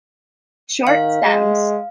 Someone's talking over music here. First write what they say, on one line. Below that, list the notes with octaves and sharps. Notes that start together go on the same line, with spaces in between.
Short stems.
D#3 F5
G#3